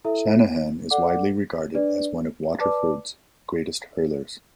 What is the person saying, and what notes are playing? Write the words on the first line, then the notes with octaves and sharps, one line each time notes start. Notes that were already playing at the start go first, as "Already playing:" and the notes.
Shanahan is widely regarded as one of Waterford's greatest hurlers.
E4 A4 E5
A4 D5 F#5 D6
D4 B4 D5
B4 D5 A5 D6